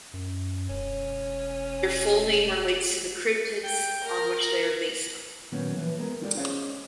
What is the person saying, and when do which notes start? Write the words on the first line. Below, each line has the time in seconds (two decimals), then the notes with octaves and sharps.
Their full name relates to the cryptids on which they are based on.
0.14 F#2
0.69 E1 C#4
3.64 G5
4.03 A#4
4.32 A#4
5.52 A#2 D#3 F#3 A#3 B3 C#4
5.77 E3 F3 B4
5.98 G#3 B3 A#4
6.22 D#4 F4 G4 A4 C#5 D5
6.37 C#4 G#4 C5 C#5 D#5 F5